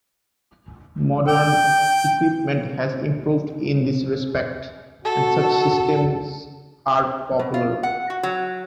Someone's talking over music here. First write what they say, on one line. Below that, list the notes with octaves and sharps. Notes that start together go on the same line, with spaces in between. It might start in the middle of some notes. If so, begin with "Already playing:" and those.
Modern equipment has improved in this respect, and such systems are popular.
G5
F#4 A4
B2
F4
F#5
F#4
F#3